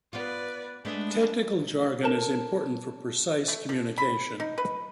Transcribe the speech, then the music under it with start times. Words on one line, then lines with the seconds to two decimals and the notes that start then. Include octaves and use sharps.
Technical jargon is important for precise communication.
0.13 B3 F4 B4 D5
0.85 G#3 A3 B3 D4
2.03 A4 A#4 A5
3.48 A3
3.69 F3
3.98 B5
4.40 D#4
4.58 B4